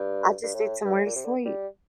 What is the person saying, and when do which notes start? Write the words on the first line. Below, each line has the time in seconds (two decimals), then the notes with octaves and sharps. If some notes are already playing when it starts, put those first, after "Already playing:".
I just need somewhere to sleep.
Already playing: G2
0.43 G2
0.55 A2
0.85 G2
0.95 A2
1.06 A#2
1.15 C3
1.25 D3
1.45 G3